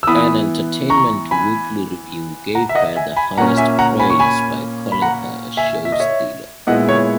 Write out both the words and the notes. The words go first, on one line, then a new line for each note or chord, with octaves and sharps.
An "Entertainment Weekly" review gave her the highest praise by calling her a show-stealer.
E6
E3 B3 E4 B5 D#6
A#5 C#6
G#5 B5
F#5 A#5
E5
D#5 F#5
E5 G#5
G#5 B5
A#2 A#3 C#4 F#5 A#5
E5 G#5
F#5 A#5
G#5 B5
C#6
G#5 B5
B5
F#5 A#5
E5 G#5
E5
D#5
C#5 E5
A#2 G#3 B3 E4 D#5 F#5
C#5